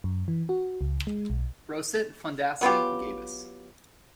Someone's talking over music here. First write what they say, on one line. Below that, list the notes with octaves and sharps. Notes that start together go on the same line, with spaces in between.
Brosset, Fondacci, Gabus.
F#2
E3
F#4
C#2
G#3
B1
F#3 B3 F4 G4